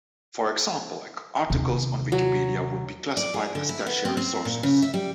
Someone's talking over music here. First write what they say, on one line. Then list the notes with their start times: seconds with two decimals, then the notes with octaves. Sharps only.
For example, articles on Wikipedia would be classified as tertiary sources.
1.50 D#2 C3
2.12 F#3
3.17 D5
3.34 G#4
3.55 D3
3.69 E4
3.86 B3
4.05 C4
4.17 C4
4.45 A#2
4.63 C#3
4.82 E5
4.94 G3